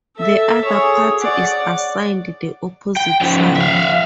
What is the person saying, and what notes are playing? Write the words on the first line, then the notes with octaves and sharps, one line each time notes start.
The other party is assigned the opposite side.
A4 E5
G#4 C#5
D5 F#5
G5
C#3 F3
E5 F5